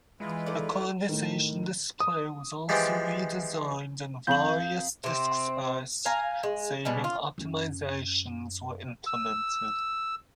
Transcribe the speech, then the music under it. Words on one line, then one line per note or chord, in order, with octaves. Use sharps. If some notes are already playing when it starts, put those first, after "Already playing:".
The conversation display was also redesigned and various disk space saving optimizations were implemented.
E3 G#3 E4 F4 B4
D#4 A4 D5
A2 D#3
D#6
E3 F3 G#3 G4 D5
F2 F5 G6 F#7
C3 C4
F5 G#5 A#5
G#3
B2 G3 G#3
F4
F#2 C#4
E6